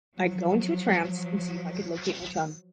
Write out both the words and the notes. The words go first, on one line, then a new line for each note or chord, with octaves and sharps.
I'd go into a trance and see if I could locate my chum.
F3 F#3